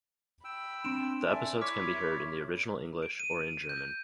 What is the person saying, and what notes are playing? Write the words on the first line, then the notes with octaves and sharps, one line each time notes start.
The episodes can be heard in the original English, or in German.
G5 B5 E6
C4 D4 C6 D7 E7
A4 D5 E5 G#5
E4 C#5 D6 F6 B6
D7
D#7
G6